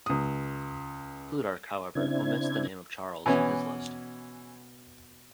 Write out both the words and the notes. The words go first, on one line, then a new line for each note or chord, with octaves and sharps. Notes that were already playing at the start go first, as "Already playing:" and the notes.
Plutarch, however, omits the name of Chares in his list.
C#2 D#6
C#3 C4 D4 E4 G#6
B2 E3 B3 C#4